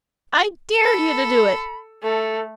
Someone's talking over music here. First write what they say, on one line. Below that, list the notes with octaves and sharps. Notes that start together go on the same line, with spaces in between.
I dare you to do it!
A4 B5
A3 A4